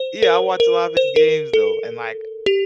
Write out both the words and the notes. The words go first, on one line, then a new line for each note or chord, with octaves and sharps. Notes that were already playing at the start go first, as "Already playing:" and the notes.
Yeah, I watched a lot of his games though, and, like,
Already playing: C5
A#4
A#4
C5
A#4
A4
G4